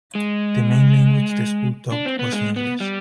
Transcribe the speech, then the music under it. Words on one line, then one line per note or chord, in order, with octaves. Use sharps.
The main language the school taught was English.
G#3
D4
C4
B3
G#3
B3
G3